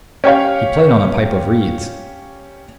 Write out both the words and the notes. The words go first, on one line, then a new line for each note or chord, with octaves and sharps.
He played on a pipe of reeds.
C#4 G4 C#5 F5